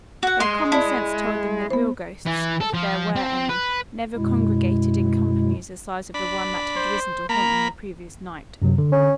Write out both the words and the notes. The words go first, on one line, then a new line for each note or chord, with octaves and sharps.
Their common sense told them that real ghosts, if there were any, never congregated in companies the size of the one that had risen to haunt them the previous night.
F#4 F#5
G#3 C6
E4 D5 A5
B3 C5
E3
A4
F3
C4
B4
F#2 B2 G#3 E4
D4 B5
C5
A#3 A#5 B5
F#2 C3 F#3
D3
C#4